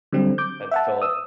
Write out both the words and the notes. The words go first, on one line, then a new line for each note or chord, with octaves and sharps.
had to fill
D3 F#3 G3 C4
D6 G6
E5 F#5 A5
D#6 E6